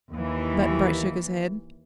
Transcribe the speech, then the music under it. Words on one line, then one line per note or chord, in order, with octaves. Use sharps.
Button-Bright shook his head.
D#2 E3